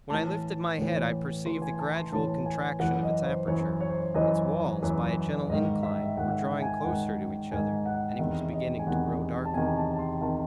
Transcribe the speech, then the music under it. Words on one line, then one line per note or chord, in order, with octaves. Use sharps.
When I lifted my head I perceived the gradual contraction of its aperture. Its walls, by a gentle incline, were drawing closer to each other, and it was beginning to grow darker.
A2 E3 A5
A2 E3
A2 E3 C6
G#5
A5
C6
A2 E3 A5
G#5
F#2 E3 F#5
D#5
C5
F#2 E3 C#5
C#5
C5
C#5
F#2 E3 D#5
F#2 E3
G#2 D#3 D#5
E5
G#2 D#3 F#5
E5
F#5
G#5
G#2 D#3 F#5
G#2 D#3 G#5
F#5
E2 C3 D#3 E5
D#5
G#5
E2 C3 D#3 F#5
A5
E2 C3 D#3 G#5
A5
A5
C6
C3 D#3 A5